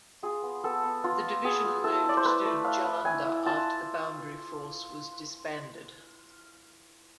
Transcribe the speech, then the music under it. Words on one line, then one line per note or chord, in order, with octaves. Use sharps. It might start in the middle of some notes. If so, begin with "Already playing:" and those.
The Division moved to Jullunder after the Boundary Force was disbanded.
F4 G#4
B3
B3 A4
B3
B3 F4
F4
B3 G#4
F4
E4 A4
E4 D5
C5
A3 B4
A3
E4 F5
E4
E4 G#5
E4
F4 A5